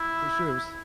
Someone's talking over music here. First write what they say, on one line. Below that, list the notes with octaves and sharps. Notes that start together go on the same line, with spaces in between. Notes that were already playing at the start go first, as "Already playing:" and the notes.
For sure, it was
Already playing: E4